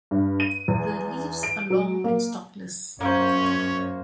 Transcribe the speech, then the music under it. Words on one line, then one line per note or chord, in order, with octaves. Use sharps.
The leaves are long and stalkless.
G2
D#7
E2
D7
F#3
A#3
F#2 A#3 C#4 C5 C#5